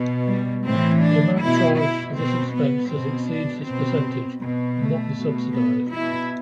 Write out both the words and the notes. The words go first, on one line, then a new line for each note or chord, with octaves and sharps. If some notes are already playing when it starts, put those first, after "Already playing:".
The amount charged for this expense that exceeds this percentage will not be subsidized.
Already playing: B2
G3
A2 E3 C4
D4
B2 E4
E4
B2 C4
B3
B2 C4
D4
B2 C4
B2
A3
B2
B3
B2 E4